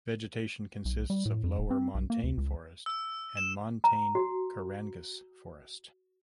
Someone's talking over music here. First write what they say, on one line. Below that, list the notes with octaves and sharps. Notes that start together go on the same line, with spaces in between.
Vegetation consists of lower montane forest and montane kerangas forest.
B1
G3
A2
F2
D#1
C4
B1
A#3
D2
C#2
E6
E7
A#5
F#4